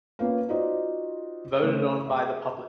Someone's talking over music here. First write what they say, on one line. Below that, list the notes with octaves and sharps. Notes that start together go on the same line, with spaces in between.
Voted on by the public.
A#3 C#4 F4 B4 F5
D#4 F4 F#4 C5 D5 D#5
C#3 A3 G#4 C5 C#5
G#4 E5